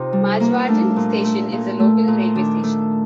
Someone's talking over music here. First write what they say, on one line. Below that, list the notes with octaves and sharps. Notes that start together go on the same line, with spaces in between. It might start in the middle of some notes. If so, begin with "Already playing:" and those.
Majavatn Station is the local railway station.
Already playing: C3 D#4 F4
G3
A#3
A3 D4
A#2
A3
A#2
A3
A#2
D#3 D4
A3